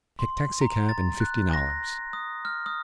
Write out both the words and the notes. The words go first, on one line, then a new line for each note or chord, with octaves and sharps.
Take taxicab and fifty dollars.
C6
A#5
A6
F#6
A#6
D#6
F6
D#6